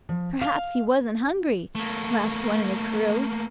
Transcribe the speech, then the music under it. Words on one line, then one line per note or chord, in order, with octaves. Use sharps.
"Perhaps he wasn't hungry," laughed one of the crew.
F3
F5
A3 A#3